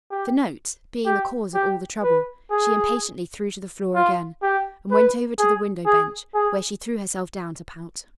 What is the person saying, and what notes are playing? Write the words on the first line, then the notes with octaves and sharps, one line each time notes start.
The note, being the cause of all the trouble, she impatiently threw to the floor again, and went over to the window bench, where she threw herself down to pout.
G4
G4
G4
B4
G#4
F4
G4
B4
G#4
G#4
G#4